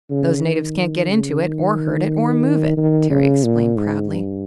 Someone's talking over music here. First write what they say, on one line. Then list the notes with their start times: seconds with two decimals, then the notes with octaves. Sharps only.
"Those natives can't get into it, or hurt it, or move it," Terry explained proudly.
0.10 C#3
0.44 D#3
1.11 C#3
1.43 D#3
2.77 D#3
3.10 C#3
3.44 A#2
3.77 G#2
4.10 G2